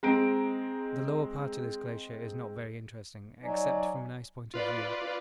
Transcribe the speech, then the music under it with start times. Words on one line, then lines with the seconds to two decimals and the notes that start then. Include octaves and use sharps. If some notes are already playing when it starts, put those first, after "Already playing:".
The lower part of this glacier is not very interesting, except from an ice point of view.
0.03 G#3 C4 A#5 D7
3.43 F#3 D#4 D5 G#5
4.54 F4 B4 D5